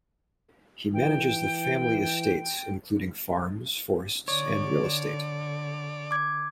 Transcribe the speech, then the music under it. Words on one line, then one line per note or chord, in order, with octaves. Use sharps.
He manages the family estates including farms, forests and real estate.
E3 G5
D3 C#5 D5
D6 G#6